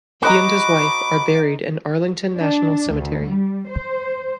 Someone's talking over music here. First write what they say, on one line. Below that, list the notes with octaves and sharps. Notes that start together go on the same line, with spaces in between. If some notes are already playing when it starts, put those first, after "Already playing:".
He and his wife are buried in Arlington National Cemetery.
F#4 C5 D#5 A#5 B5 D6
D4
D2
G3
C5